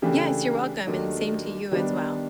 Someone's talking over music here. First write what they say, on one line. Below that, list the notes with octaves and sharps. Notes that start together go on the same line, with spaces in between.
Yes. You're welcome, and same to you as well.
C#3 E3 A3 D4 G4
D#2 D#3 F#3 A3 D4
D#3 G3 B3 D4